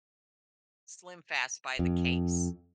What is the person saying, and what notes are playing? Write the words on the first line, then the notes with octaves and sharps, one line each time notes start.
SlimFast by the case.
F2